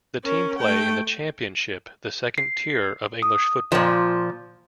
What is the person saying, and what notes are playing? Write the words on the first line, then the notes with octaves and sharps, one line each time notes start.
The team play in the Championship, the second tier of English football.
C#4 A#4
A3 G5
C7
D#6
A#2 F3